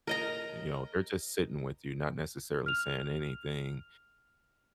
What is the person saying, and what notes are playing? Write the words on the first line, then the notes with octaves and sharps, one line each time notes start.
you know, they're just sitting with you, not necessarily saying anything,
A#4 D#5 A#5
F6 F7